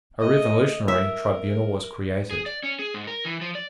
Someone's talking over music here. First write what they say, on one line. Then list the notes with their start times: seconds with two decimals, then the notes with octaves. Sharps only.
A revolutionary tribunal was created.
0.19 A3 D#5
0.88 A#4 E5
2.31 G#4
2.46 D5
2.63 C#4
2.79 G#4
2.94 G#2
3.07 A#4
3.25 E3
3.41 F3
3.55 D5